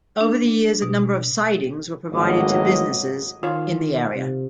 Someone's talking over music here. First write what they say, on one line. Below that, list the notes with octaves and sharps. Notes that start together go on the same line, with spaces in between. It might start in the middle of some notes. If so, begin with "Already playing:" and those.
Over the years a number of sidings were provided to businesses in the area.
D4
B2
G#1 A2 F#3 A#3 B3 D#5
D#3 F4 C#5
C3